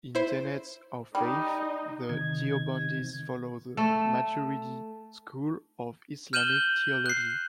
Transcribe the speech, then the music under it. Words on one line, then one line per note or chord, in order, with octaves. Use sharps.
In tenets of faith, the Deobandis follow the Maturidi school of Islamic theology.
E4 C5
G3 D#4 D#5
C3 D#3 G#6
A3 A4
F6 G6 D#7 E7 F#7 G7
F#6 C7